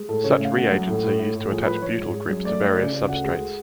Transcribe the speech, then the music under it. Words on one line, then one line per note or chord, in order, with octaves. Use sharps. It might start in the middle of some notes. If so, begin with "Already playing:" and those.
Such reagents are used to attach butyl groups to various substrates.
Already playing: G#3
A2 A4
C#3 C#5
A3 C#5
F5
A3 F#5
F#2
A2
A2
A2
A2
F3 G#4
F3 B4
F3 C#5
G#2
G#3
F#2
A3 D5
A3
C#3 D5
C#3
D2 F#5
G#3